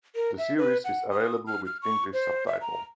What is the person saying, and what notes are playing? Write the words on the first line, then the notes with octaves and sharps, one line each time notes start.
The series is available with English subtitle.
A#4
E5
B4
F#5
D#6
F6
F6
C#6
C5
E5
A#5